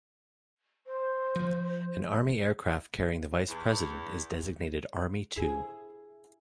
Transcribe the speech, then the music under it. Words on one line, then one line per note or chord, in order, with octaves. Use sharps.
An Army aircraft carrying the Vice President is designated Army Two.
C5
F3
E2
E4 G#4